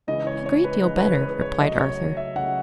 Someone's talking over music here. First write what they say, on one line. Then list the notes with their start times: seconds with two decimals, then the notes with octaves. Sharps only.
"A great deal better," replied Arthur.
0.07 C#3 E3 G#3 D#4 D#5
0.27 C#5
0.46 C#5
0.64 B4
0.83 C#3 E3 G#3 D#4
0.97 B4
1.03 C#5
1.22 B4
1.41 C#5
1.60 C#3 F#3 A3 D#5
1.79 C#5
2.17 E5
2.36 C#3 F#3 A3 F#5